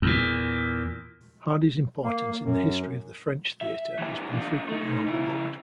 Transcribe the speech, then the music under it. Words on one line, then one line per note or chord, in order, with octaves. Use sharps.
Hardy's importance in the history of the French theatre has been frequently overlooked.
E2 A#2
A#3
F#2
E5
E3 A#3
D4 F4
A3 D#4
C#3 E4